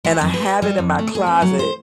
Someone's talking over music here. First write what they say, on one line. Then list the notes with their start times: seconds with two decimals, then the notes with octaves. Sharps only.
and I have it in my closet,
0.04 G#3
0.21 F2
0.34 B4
0.62 G3
0.78 F2
0.99 A3
1.15 G#4
1.27 C4
1.42 F#3
1.59 C5